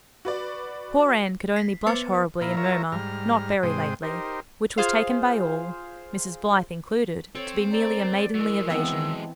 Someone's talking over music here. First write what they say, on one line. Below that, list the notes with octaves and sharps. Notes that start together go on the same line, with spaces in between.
Poor Anne could only blush horribly and murmur, "not very lately," which was taken by all, Mrs. Blythe included, to be merely a maidenly evasion.
F#4 B4 D5
B6 C7
B3 B4 C5 D6 A6 C#7
A#2 E4 F5 A#5 B5
F4 A#4 C#5 E5 A#5
G#2 G3 A#5 F6
G#2 C3 G#3 C5 G5 D#6
D#4 G4 A#4 C5
F4 G#4 C5 F5
C4 A4 C#5
A#4 C5 D5 A#5
F#3 G#3 E4 A#4 E6
E3 B3 C4 D#5 A5 E6